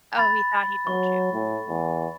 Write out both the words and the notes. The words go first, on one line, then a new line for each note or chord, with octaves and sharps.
Oh, he thought he told you.
B5 A6
F#3 C#6
A2
E2